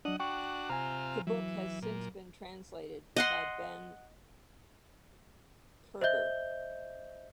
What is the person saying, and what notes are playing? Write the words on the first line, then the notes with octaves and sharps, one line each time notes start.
The book since been translated by Ben Koerber.
F#3 D4 D#5 F#5
D4 F#4 G5 C#6
C3 F4 G#5 A#5
E3 F#3
A#2
D#5 F#5 C6
C5 D#5 E5 G6 G7